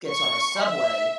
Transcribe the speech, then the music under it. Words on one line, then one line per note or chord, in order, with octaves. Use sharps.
gets on a subway
C#6
E5